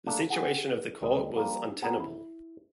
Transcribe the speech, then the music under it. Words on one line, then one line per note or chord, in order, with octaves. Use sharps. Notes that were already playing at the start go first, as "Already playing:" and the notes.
The situation of the court was untenable.
A3 A#3 D4
G4 G#4 F#5
D2 G3 D#5
F3 G3 A#3
A3 B3 G#4 B4 G5 A#5
E4